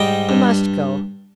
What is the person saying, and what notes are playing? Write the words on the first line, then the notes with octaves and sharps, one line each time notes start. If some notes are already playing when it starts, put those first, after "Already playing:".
You must go.'
Already playing: G#2 G3 D#5 G5
G2